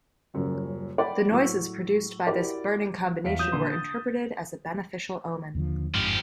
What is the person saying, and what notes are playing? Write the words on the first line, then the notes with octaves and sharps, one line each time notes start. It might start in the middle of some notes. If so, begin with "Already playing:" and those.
The noises produced by this burning combination were interpreted as a beneficial omen.
D#1 F#2 C#3
D5 F#5 G5 B5
A2 F#3 C#6 E6
E4 F#4 G4 A#4 D5
E2 F5 B6
F#3 F4 D#6 G6 E7
A#2 D3 C6
A6
D#2 D3 F3
G1 F2 G#2 F3 G4